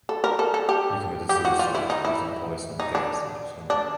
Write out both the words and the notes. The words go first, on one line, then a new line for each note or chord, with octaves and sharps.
He committed suicide using poison and gas at his home.
A4
A#4
A4
A4
G4
G4
F#4
F4
E4
D#4
E4
D#4
D4
D4